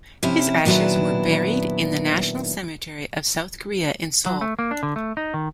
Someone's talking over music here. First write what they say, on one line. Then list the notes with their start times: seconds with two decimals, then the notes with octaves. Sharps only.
His ashes were buried in the National Cemetery of South Korea in Seoul.
0.23 C3 F3 C#4 E4
0.65 A#2 D#3 F#3 B3 D4 E4
4.26 F#3
4.41 A3
4.59 A#3
4.71 D4
4.83 D3
4.96 A3
5.17 D#4
5.34 D#3